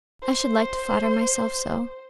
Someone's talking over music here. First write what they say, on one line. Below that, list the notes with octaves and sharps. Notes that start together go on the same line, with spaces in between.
I should like to flatter myself so.
C5